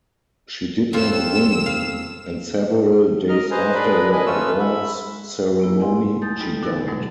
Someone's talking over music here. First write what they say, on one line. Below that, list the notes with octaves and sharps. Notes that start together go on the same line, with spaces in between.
She did not win, and several days after the awards ceremony, she died.
F2 F4 E6 E7
F5
A#4 D#5 F6
B4 C5 D#5 G#5 A#5
D4 G#4 A#4 B4 B5
D#5 G#5 B5
A3 C#4 F4 B4 C#5 E6
E5 B5
A#3 B3 E4
D#5 F#5 G#5 C6
E2 A3 D#6 G6 A6
G3 B3 D#4 F4 A4
A#2 D3 D#4 A#4 E6 A6
G2 B2 E3 F#3 G#3 A3